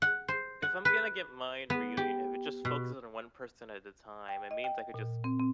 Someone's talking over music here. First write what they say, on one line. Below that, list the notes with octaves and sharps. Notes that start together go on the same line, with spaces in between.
if I'm gonna get mind reading, if it just focuses on one person at a time, it means I could just
F#5
C5
F#5
B4
B3
G4
B2
G5
D#5
G5
A#2
C4
C4